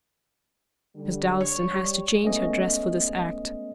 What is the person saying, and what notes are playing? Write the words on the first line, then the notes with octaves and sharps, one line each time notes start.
"Miss Dalstan has to change her dress for this act."
D3 G3
C#5
G3
G#3 A3 B3 C#4 D#5